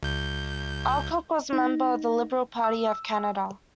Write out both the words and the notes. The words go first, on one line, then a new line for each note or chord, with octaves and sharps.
Alcock was a member of the Liberal Party of Canada.
C#2 G6
D#4
E6